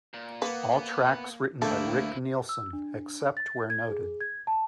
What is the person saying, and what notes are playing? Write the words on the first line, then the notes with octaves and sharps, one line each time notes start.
All tracks written by Rick Nielsen, except where noted.
A#2
A#3 B3 B4 F#5
D2 F3 A3 A#3 E4 A4 G5
E6
D4
A6
G#6
G#4
G#6
A5